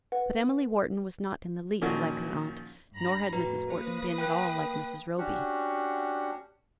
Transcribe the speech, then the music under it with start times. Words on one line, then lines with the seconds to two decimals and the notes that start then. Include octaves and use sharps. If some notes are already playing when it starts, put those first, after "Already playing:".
But Emily Wharton was not in the least like her aunt, nor had Mrs. Wharton been at all like Mrs. Roby.
0.12 B4 F#5
1.82 A#2 D#3 F3 C#4 F#4
2.94 G2 A#5 B5
3.33 F2 A2 F#4 B4 A#5
3.70 A#3 B4 C5 D#6
4.18 G5 B5 F#6
5.18 C#4 D4 F#4 G4 F#5